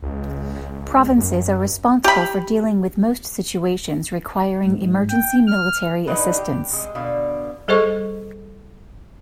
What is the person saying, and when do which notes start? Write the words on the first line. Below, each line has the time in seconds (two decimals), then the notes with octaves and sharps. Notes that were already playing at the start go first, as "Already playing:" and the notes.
Provinces are responsible for dealing with most situations requiring emergency military assistance.
0.02 C#2
1.18 F#2
2.04 G4 B5
4.65 G#2
5.09 G5
5.47 F6
6.07 A2 D3 D#4 G#4 B4
6.38 G4
6.71 C3 G#3
6.95 B2 D3 F5
7.68 G3 G#4 A4 C5 D#5 C#6